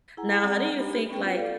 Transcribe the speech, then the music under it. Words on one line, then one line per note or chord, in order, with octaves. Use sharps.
Now how do you think, like,
E4 G#4 F#5 G#5 A#5
G3 C4 G#4 D5 F#5 A#5
D4 G4 B5
B3 C#4 G5
F4 B4
A4 D5 F5